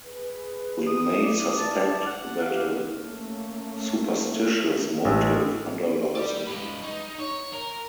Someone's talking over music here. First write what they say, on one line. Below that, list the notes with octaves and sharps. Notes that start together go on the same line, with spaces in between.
We may suspect that a superstitious motive underlies it.
G#4 B4
D#6
D5 D6
A5
F#5
G4 F5 F#5
A3 A#3 C#4
A1 E6
G4 D5
G#3 B4
D#4
C#5
A#4